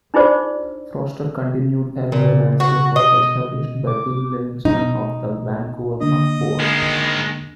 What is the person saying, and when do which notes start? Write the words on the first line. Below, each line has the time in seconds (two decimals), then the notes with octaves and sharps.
Forester continued earlier landscape work established by Bill Livingston of the Vancouver Park Board.
0.14 D4 D#4 F4 G#4 C5 D5
2.12 A#2 C#3
2.60 F#4
2.96 B2 D#5
3.87 D6
4.65 B2 D#4
6.00 D3 A#3 D4 D#5
6.60 D#3 G#3